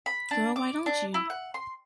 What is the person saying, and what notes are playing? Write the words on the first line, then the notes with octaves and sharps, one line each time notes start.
Girl Why Don't You?
B5
D4
D6
D4
E4
F#5
C6